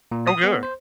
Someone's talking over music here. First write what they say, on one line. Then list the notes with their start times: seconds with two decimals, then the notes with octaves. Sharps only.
Oh, good.
0.12 A#2
0.27 D#6
0.44 B3
0.63 C5